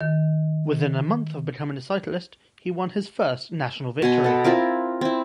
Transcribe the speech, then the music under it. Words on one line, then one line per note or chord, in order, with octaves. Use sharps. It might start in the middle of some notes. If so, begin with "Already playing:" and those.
Within a month of becoming a cyclist, he won his first national victory.
D#3
B2 G#5 C6
B3 A4
C4 E4 F4 A#4
C4 E4